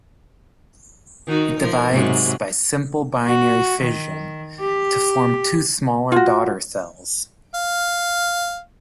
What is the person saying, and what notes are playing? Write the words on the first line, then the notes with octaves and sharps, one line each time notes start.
It divides by simple binary fission to form two smaller daughter cells.
D#3 D#4 F#4
F3 A#4
G#2 C3 F#3
F#4
D#3
G4
F4 F#4
F5